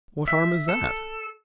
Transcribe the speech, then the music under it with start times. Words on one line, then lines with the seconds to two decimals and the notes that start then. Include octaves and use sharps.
What harm is that?
0.28 E5
0.69 A4